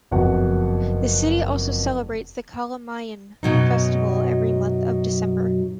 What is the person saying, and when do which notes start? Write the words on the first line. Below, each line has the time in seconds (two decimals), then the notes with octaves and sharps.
The City also celebrates the Kalamayan Festival every month of December.
0.11 F#1 F2 B3 F#4 F#5
3.43 F#2 B2 F#3 D#4